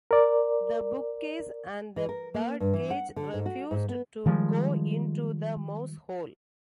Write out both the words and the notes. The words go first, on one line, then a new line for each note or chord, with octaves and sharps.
The bookcase and the birdcage refused to go into the mouse-hole.
A#4 D5
E3
A#4
A#3
G2
E3
F#5
D3
G#2
F#4
G#2
B3
D#3 F3 G3 G#3